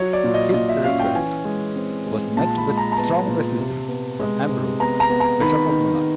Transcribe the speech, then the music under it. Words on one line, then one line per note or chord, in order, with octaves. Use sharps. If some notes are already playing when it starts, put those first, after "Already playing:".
His request was met with strong resistance from Ambrose, Bishop of Milan.
Already playing: F#3 C#5
D5
A#2
D#5
A#2 D#5
E5
C#4 F5
G5
E3 G#5
G#3
C4
G#3
A#2 A5
B5
G#3
A#5
A#5
B3 A5
A#2
C3
B3
G#3
C3
B3 A#5
A#5
B3
A#5
D#3 B5
D#3